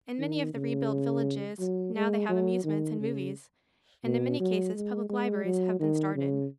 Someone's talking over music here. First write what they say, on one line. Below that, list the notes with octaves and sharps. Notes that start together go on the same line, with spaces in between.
In many of the rebuilt villages now they have amusements and movies and in many cases public libraries have been started.
D#3
C#3
F#3
G#3
F#3
D#3
C#3
B2
F#3
G#3
G#3
F#3
D#3
C#3